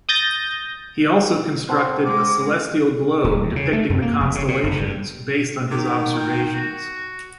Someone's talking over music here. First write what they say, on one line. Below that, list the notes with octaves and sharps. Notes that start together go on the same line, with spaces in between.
He also constructed a celestial globe depicting the constellations, based on his observations.
D#6 G6 A6 A#6
C4 F#5 A5 C6
G#3 D6
D#1
E2
C#3
A3
F#2
A#3
F1
C#3
A#2
F#1
G2
D#3 D6
G5
F#4